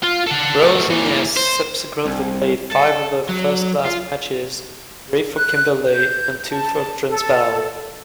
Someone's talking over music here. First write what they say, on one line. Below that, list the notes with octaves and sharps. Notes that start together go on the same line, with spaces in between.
Rose-Innes subsequently played five other first-class matches, three for Kimberley and two for Transvaal.
F4
A4 F#5
F#3 A3
E3 A#3
C5
C2
A4
F#3
F4
F#6
G6
A5
A4